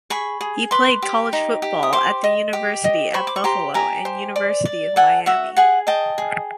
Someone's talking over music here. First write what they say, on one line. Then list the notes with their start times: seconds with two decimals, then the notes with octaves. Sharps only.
He played college football at the University at Buffalo and University of Miami.
0.10 G#4 B5 C#6
0.41 G#4
0.71 B4 C6 D6
1.02 G4
1.33 D#4
1.62 G4
1.83 D#6
1.93 C5 C6 D6
2.24 D#5
2.53 G4
2.84 D#5
3.14 C5 B5 C#6
3.27 D6
3.36 C#6
3.44 G4 A#5 C6
3.74 G4 G#5 A#5
4.05 C5
4.36 D5
4.65 D5
4.96 A4 F#5 G#5
5.26 F#4 E5 F#5
5.57 G#4 F#5 G#5
5.87 D#5 G5 A5
6.18 G#4